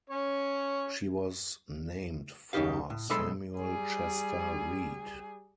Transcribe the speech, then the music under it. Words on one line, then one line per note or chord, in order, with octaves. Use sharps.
She was named for Samuel Chester Reid.
C#4 C#5
F#2 C#3 D#4 G4 F5
A2
B1 G#3 A4 E5 B5 C6
G3 G#4